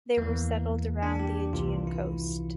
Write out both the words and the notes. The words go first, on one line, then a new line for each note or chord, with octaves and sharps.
They were settled around the Aegean coast.
E2 E3 A#3
D4
G4
C2 C3 E3 F4
E4